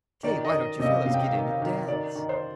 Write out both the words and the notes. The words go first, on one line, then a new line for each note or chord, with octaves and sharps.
"Say! why don't you fellows get in and dance?"
D#3 D5
D#5
D#3
C3 D#5
F5
C3 F5
G5
F5
D#3
F5
D#3
D#3 D5
D#3
C5